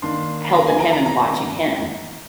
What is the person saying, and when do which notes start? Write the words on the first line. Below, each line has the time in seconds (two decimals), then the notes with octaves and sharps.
helping him and watching him.
0.02 D#3 A#3 D4 C6
0.54 A#5
0.67 G#5
0.80 A#5
0.93 A#5
1.06 A#5